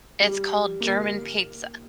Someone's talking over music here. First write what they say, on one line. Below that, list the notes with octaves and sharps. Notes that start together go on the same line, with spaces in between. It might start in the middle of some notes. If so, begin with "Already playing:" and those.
It's called German pizza.
G3
A#3